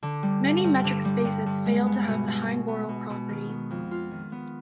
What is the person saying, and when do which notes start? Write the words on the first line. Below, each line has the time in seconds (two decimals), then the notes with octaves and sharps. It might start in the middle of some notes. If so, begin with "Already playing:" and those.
Many metric spaces fail to have the Heine-Borel property.
0.03 D3
0.23 G3
0.44 G2
0.64 G2
0.84 D3
1.05 G3
1.25 G2
1.46 G2
1.66 G#3
1.86 B3
2.08 B2
2.27 B2
2.48 G#3
2.68 B3
2.89 B2
3.10 B2
3.29 D#3
3.50 B3
3.71 F2
3.91 F4
4.11 D#3
4.32 B3